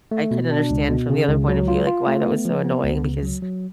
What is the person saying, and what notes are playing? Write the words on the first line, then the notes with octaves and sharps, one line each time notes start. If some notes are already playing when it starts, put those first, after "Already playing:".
I couldn't understand from the other point of view, like, why that was so annoying because
A3
B2
D4
C#2
B2
C#3
C#2
F#3
F4
F4
A3
B3
F3
B3
C#2
C#3
F#3
F#3